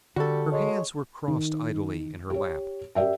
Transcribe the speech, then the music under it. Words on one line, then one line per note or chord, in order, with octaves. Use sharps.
Her hands were crossed idly in her lap.
D3 G3 F#4 A4
G#3 C#5
D#3
G4 C#5
G4 A#4 D5 E5 G5